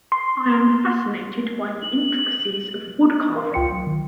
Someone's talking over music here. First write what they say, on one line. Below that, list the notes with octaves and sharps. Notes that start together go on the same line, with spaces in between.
I am fascinated by the intricacies of woodcarving.
C6
F#7
A#4 F5 C6
C#2 F4 G5 C6 C#7
F#3
D#3